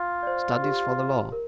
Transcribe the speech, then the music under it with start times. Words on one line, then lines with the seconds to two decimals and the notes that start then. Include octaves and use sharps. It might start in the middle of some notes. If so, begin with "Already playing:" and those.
Studies for the law.
Already playing: F4
0.23 D5
0.27 C5
0.62 G4
1.32 A#4